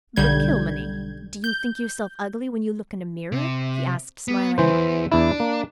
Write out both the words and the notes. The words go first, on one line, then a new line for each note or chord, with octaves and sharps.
"But, Kilmeny, do you think yourself ugly when you look in a mirror?" he asked smiling.
B1 D3 G3 G6 G#6
G6
C3
B3
D2 C#3 E3 C5
E2
E2 D4 E4
A#3